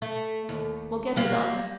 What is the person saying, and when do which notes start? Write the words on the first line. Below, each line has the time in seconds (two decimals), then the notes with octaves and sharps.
We'll get the dogs.
0.02 A3
0.49 D#2
1.16 F#3 G3 A#3